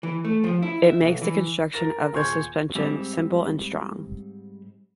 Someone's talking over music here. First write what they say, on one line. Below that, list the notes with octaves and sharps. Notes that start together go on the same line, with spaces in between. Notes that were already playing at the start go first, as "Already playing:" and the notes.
It makes the construction of the suspension simple and strong.
E3
A3
F3
E4
E5
B1
E3
A#4 A6 A#6
D#1 G#4 C6 C#6 G6 G#6
G#2 G3 C4